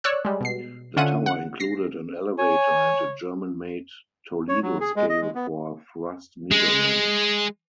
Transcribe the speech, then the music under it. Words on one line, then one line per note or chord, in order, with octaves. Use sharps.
The tower included an elevator and a German-made Toledo scale for thrust measurements.
C#5 D5 E6 F#6
G3 G#3
B2 C7
D3 C#4 F4 E5 F#5 D#7
F#5
A#6 C7
C#5 G#5
C#5
F#3
G#4
G#3
D#5
G#3
B3
G#3